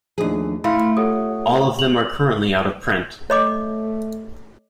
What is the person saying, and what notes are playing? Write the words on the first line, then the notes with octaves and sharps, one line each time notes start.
All of them are currently out of print.
D#2 F3 A3 D4 G#4
A3 E4 F5 B5 C6 F6
F4 G4 A4 C#5 F#5 D#6
F7 F#7
A3 C#5 D#5 D6